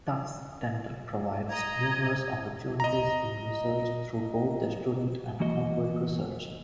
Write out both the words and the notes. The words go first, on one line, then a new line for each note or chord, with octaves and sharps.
Tufts Dental provides numerous opportunities in research through both their student and corporate research.
D#5 A#5 G#6
D#5 A#5
E3 A#3 F#4 D#5